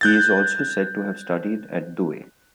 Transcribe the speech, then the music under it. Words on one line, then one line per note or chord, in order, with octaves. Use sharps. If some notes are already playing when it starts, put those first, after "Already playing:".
He is also said to have studied at Douay.
F#6 G6 A6